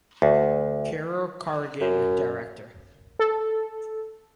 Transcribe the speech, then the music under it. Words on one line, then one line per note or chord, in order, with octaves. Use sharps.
Carol Carrigan, Director.
D2
F#2
A4